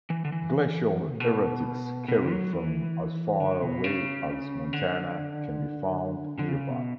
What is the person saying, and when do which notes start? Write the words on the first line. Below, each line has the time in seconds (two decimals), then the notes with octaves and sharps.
Glacial erratics carried from as far away as Montana can be found nearby.
0.10 E3
0.25 D3
0.32 E3
1.14 A2
1.20 B2
2.08 B2
2.30 F#3
2.53 E3
3.40 D3
3.62 B2
3.84 C#3
4.73 D3
6.39 D3
6.49 C#3
6.70 B2